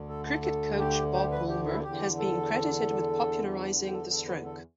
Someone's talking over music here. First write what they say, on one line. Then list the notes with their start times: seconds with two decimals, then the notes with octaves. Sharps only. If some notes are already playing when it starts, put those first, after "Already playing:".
Cricket coach Bob Woolmer has been credited with popularising the stroke.
Already playing: D2 D3
0.09 A4
0.26 A4
0.44 A4
0.79 G4
1.14 G4
1.31 B4
1.49 G4
1.66 E4
1.84 E2 D3 G4
2.18 A4
3.83 G4
3.93 A4
4.11 A4
4.28 B4
4.45 A4